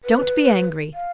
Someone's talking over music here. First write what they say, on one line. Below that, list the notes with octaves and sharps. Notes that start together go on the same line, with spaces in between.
Don't be angry.
B4
F5